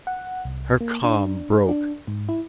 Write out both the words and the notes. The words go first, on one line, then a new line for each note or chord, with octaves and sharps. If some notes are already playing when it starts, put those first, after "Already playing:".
Her calm broke.
F#5
C2
A#3
D4
D4
G#2
E4